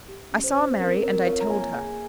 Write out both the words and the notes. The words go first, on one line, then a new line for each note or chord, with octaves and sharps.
"I saw Mary, and I told her."
G4
C#4
C5
C#4
C4 A#4
C4 A#4
F4 C#5 F5
A#5
A#3 F5 G#5
G#4